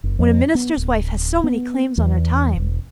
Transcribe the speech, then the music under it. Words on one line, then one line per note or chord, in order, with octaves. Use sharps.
When a minister's wife has so many claims on her time!
F#1
F2
B3
D1
B3
E2
E1